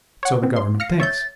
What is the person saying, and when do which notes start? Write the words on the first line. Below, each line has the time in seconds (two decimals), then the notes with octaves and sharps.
So the government thinks.
0.23 C#5 F#5
0.43 C4
0.56 C6
0.80 F5 F6 A#6 C#7
1.00 C#5 E5 G6 A6